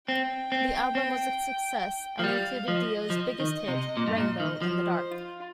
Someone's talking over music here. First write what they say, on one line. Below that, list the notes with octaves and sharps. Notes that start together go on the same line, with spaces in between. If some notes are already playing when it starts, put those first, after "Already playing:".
The album was a success and included Dio's biggest hit, "Rainbow in the Dark".
C4 G5
C4
C4
F3
G3 F5
F3 D#5
F3
D#3
C3
A#2
G2
A#2
D#3
F3
C5
F4